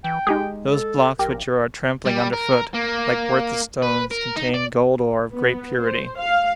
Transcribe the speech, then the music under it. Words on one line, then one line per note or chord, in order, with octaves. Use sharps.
"Those blocks which you are trampling under foot, like worthless stones, contain gold-ore of great purity."
E3 G5
G#3 D#4 G4 G#4
A4
A#1 G4 A#4
G3
A#4
A#3
B4
A#4
D#4
D5
B3
C5
F5